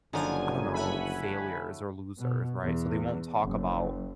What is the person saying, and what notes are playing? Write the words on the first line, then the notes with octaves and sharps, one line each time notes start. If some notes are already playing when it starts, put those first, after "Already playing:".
I don't know, failures or losers, right? So, they won't talk about,
F#1 D3 F3 D#4 F#4 C#5 G#5
A3 E4 A4 F#5 G#5 B5
B2
E2
F#1